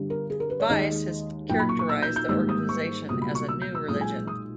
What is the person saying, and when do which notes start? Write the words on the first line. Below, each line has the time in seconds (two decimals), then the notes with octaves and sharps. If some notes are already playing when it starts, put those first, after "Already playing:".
"Vice" has characterized the organization as a "new religion".
Already playing: G1 G2 G3
0.10 A#4
0.30 G#4
0.40 A#4
0.50 B4
0.60 C#5
0.70 D#2 D#3 G#3 D#5
1.49 B1 A#2 A#3 G5
1.59 B5
1.69 C#6
1.79 C#6
1.89 E6
2.02 G6
2.16 G6
2.29 G#1 G#2 G3 A#3 E6
2.49 D#6
2.69 C#6
3.09 C#2 B2 G3 A#3 D#6
3.22 B5
3.35 C#6
3.49 E6
3.62 G6
3.75 E6
3.88 B1 A#2 G#3 D#6
4.01 G#5
4.27 D#6